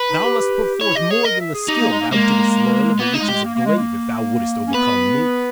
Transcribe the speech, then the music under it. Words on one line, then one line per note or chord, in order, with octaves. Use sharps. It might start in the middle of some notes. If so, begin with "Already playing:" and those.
'Thou must put forth more than the skill thou didst learn of the witches of Glaive if thou wouldst overcome me.
Already playing: B4
D#4
G4
E4 C#5
G4 D#5
G#4 C#5
A#4 D#5
E5
G#4
D#4 G4
A#3
G#3
A#3
G#3 A#3
A#3 B3
D#4
G#3
G4
G#3
A#3
A#3
G#3
A#3
C#4
B3 B4